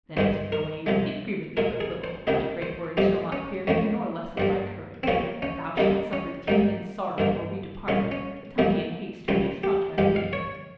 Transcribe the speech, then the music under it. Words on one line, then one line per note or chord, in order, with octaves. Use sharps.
Then answered Gawaine, it grieveth me but little, thy great words shall not fear me nor lessen my courage, but thou shalt suffer teen and sorrow or we depart, but tell me in haste who may staunch my bleeding.
G2 D#3 G#3 C5
A#4
C2 C3 F3 G#3
A#2 G#3 A#4
G#4
C5
C#2 C3 D#3 A#3 D#5
C5
F2 C3 G3 A#3 D#4
C#4
F2 D#3 A#3 C#4
G2 G3 A#3
C4
D#2 C#3 F3 A#3 C#4
C#4
D#2 C#3 G3 A#3 D#4
C#4
G#2 G3 A#3 D#4
G2 D#3 A#3
C2 A#2 G#3 C#4
C#4
F2 C3 D#3 G3 A#3
C#2 C#3 G3 A#3 F4
G4
G2 F3 G#3 G4
F5
C#5